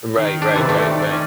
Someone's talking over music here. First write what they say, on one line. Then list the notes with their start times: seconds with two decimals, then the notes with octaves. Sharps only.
Right, right, right, right.
0.18 D#3
0.42 D4
0.56 C3 E3 D5
0.69 A3 C4
1.12 C#4